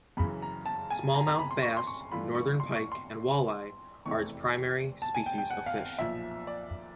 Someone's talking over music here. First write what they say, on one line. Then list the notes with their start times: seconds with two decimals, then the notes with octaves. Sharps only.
Smallmouth bass, northern pike and walleye are its primary species of fish.
0.17 F#2 C#3 E3 B5
0.42 A#5
0.66 A5
0.90 G#5
1.14 A#5
1.27 A#5
1.39 B5
1.51 C6
1.62 C#6
1.77 C6
1.87 C#6
2.12 G2 E3 A3 D4 F4 B5
2.35 C#6
2.60 C6
2.75 C#6
2.92 C6
4.05 F1 E2 C3 E3 A3 C#6
5.02 A5
5.15 G#5
5.26 G5
5.38 G5
5.50 F#5
5.66 F5
5.99 B1 A#2 F3 E5
6.47 D5